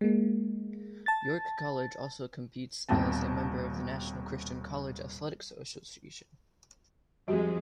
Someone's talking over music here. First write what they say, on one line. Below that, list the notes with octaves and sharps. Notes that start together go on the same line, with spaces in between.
York College also competes as a member of the National Christian College Athletic Association.
G#3 A#3
A5 A6
D#1 D#2 B2 C4 A5
F2 G3 G#3 F#4 G4